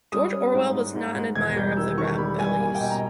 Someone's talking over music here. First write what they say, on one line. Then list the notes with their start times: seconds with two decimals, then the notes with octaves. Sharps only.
George Orwell was not an admirer of Rabelais.
0.12 G3 D#6
0.33 C#4
0.54 G#2
0.74 G#2
0.95 G#2
1.15 G#2
1.35 E1 G#6
1.56 G3 G6
1.77 D#3 E6
1.98 D#3 C#6
2.18 G3 B5
2.39 G3 G#5
2.59 A#3 G#5
2.75 G5
2.80 B1
2.91 A#5